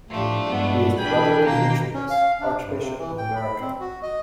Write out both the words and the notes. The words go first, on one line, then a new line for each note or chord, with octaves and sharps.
He is the brother of Demetrios, Archbishop of America.
A2 F3 A3 D4 G4
G2 G#3 B3 E4
E3 D4 B4 G5 G#5 B5
B2 D#3 A#3 G5
C#4
F5
D4
G2
C3
E3
G5
B5
C4
F#4
D#5